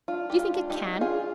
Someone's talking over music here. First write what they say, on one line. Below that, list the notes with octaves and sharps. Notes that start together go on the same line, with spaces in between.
Do you think it can?
D4 F4
G#3 G4
F4
D4
D#4 G4
B3
D4 F4 G#4